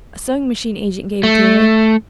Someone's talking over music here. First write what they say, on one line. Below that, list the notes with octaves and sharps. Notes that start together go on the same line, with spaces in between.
A sewing-machine agent gave it to her.
A3